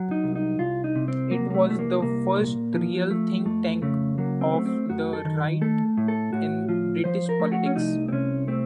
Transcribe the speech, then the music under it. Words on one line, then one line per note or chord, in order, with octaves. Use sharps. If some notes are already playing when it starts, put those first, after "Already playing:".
It was the first real think-tank of the right in British politics.
Already playing: F#3
D#4
C2
D#4
C2 F4
D#4
C3
C4
F#3 A#3
A#3
A3
C2 A3
A#3
C2 A#3
A#2
F3
A3
F2 A3
C#3 A3
F#3 A#3
C4
A3
C4
F#2 F#4
A4
D#3
A3 A4
A2
A4
A2 F#4
F3 F4
F3 C5
A#4
A3
F#4
C#4
C2 D#4
C4
C3 C#4
A3 C4